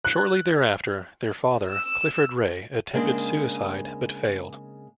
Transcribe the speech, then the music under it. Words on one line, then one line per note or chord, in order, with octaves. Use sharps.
Shortly thereafter, their father, Clifford Ray, attempted suicide but failed.
F#6
E6
C#3 G#3 A#3 C4 D4